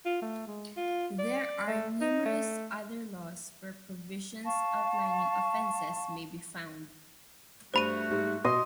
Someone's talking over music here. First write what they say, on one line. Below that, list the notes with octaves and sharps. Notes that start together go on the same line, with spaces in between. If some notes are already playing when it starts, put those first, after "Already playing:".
There are numerous other laws where provisions outlining offences may be found.
F4
A3
G#3
F4
D5
A3
D#4
A3
F5 A5 C#6
G2 A3 F#4 C5 B5 D#7
G#2 G3
B2 D#5 C6